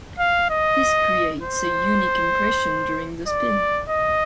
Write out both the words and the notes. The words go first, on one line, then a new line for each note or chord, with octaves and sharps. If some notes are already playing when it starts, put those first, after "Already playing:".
This creates a unique impression during the spin.
F5
D#5
C5
D5
D#5